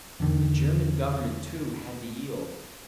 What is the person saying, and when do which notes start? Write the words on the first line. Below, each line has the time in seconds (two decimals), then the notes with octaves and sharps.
The German Government, too, had to yield.
0.20 E2 D3 D#3